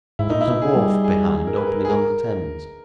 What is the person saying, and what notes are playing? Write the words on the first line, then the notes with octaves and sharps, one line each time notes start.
There was a wharf behind, opening on the Thames.
G#2 E4
D#4
E4
B2
G#4
G3
G#4
A#4
B4
A#4
G#4
A#4